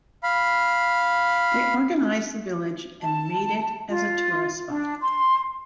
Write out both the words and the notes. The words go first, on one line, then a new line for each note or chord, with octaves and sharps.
They organized the village and made it as a tourist spot.
F5 B5
A5
F4
D4
C6